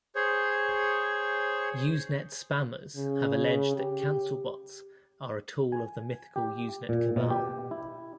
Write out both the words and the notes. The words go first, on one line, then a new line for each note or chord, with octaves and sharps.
Usenet spammers have alleged that cancelbots are a tool of the mythical Usenet cabal.
G#4 C5 C#5
C#3
G4
G#5
G4
A#2
B2
G4
E4